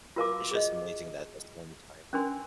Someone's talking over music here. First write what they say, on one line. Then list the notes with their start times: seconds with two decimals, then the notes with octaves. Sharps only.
it's just amazing that that's the only time
0.16 F4 F#4 A#4 F5 A5 D6
0.51 G#4 D#5
2.13 C#4 D4 A#4 G#5 C6